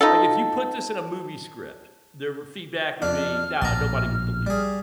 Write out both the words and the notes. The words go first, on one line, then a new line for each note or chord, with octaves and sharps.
Like, if you put this in a movie script, the feedback would be, no, nobody would believe it.
D#4 F4 A4
F2 D4 F6
A#1 A2 A5 A#5
G3 G#4